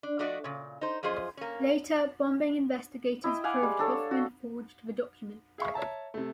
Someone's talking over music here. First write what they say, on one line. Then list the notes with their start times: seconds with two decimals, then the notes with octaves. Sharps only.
Later, bombing investigators proved Hofmann forged the document.
0.03 D4
0.19 F3 A3 D4 F#4 D5 D#5
0.44 A#2 C#3
0.81 D#4 C5
1.03 F#2 F3 F4 G#4 C5 D#5
1.37 A#3 C#4
3.24 E4 D#5 G5
3.44 F5 F#5 G#5 D6
3.62 G3 G#3
3.79 D4 A4 C#5
4.11 F#4
5.58 G#4 E5 F5 C#6
5.74 C#5 E5 A5 A#5
6.14 C3 A3